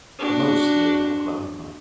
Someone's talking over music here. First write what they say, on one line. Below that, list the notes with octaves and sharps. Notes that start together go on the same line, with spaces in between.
Most live in Oklahoma.
D4 F#4